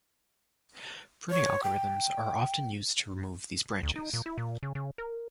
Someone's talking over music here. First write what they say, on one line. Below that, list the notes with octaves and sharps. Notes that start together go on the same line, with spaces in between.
Pruning algorithms are often used to remove these branches.
C#5
G5
D2
D#4
A#2
E4
A#2
C#3
C#3
A#4